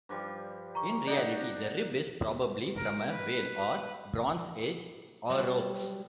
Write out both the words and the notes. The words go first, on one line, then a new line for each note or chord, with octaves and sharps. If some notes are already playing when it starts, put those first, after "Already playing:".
In reality, the rib is probably from a whale or Bronze Age aurochs.
G2 F3 G3
A#5 C#6
D4 D#4 F#4 D5
A#4
B4
F#3 G3 D5